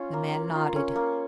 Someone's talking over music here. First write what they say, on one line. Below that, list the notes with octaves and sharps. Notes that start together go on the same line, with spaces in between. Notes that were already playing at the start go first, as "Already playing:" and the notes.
The man nodded.
Already playing: C#4 F4
A#3
A#3
F4
C#4
A#3